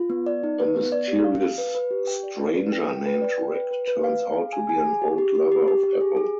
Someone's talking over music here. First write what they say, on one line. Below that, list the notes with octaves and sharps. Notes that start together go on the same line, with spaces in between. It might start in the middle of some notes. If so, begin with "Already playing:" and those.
A mysterious stranger named Rick turns out to be an old lover of Apple.
Already playing: F4
B3
D5
D#4
B4
B3
D5
G4
F5
F5
B4
B4
G4
G5
D5
D5
B4
G5
G5
B4
D5
G5
B4
B4
B4
F5
F5
G#4
G#5
G#5
G#4
G4
G4
G4
G4
G4
G4
G#4
G#4